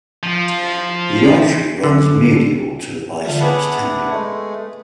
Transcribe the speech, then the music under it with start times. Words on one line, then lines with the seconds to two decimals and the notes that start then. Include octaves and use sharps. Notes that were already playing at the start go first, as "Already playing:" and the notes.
The artery runs medial to the biceps tendon.
0.23 F3
1.83 D3
3.24 D3 F3 A3
3.40 B3 D4 E4 G#4 F#5
4.11 G#3 A3